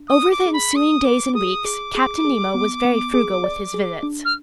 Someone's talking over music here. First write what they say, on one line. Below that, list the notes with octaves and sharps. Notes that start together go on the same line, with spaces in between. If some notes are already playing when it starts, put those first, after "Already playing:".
Over the ensuing days and weeks, Captain Nemo was very frugal with his visits.
Already playing: D4
D#6
D5
D6
G#4
B5
G#4 D#6
B4 D6
G#4 D#6
G#4 D6
G#4
G#4
B3
B3
G#4
D5
G#4
D4
F6